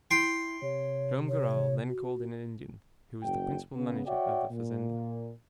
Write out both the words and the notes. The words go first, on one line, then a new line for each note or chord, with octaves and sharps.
Joam Garral then called in an Indian who was the principal manager of the fazenda.
E4 G5 C6
C3 C#5
C#5
F#4
F#1 E2 C#3 F#4 G5
C#3 B3
F#4 C#5 D5 E5 F#5 G5
A#2